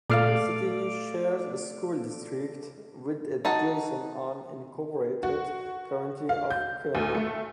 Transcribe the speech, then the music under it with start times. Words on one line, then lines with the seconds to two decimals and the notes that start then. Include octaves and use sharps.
The city shares a school district with the adjacent unincorporated community of Kiona.
0.10 A#2 A3 D5 F5 F6 C7
3.45 D#4 F#4 A5
5.23 F#4
6.29 F5
6.51 G6
6.95 D2
7.15 A3